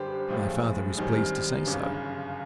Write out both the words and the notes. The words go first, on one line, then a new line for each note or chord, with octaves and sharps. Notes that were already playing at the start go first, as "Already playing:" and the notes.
'My father is pleased to say so.'
Already playing: F#2 D3 G3 G4 B4 C5
B1 A2 F3 G#3
F#2 D#3 G3 C4
G1 F#2 C#3